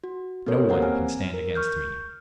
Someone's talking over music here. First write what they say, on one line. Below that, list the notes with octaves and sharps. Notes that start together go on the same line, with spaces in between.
No one can stand against me.
F#4
B3 C#4 F#4 A4 A#4 C#5
A#3 G4 C5 F5 F#5 A#5
C4 G#5 F6
A#4
C#6 F6 G6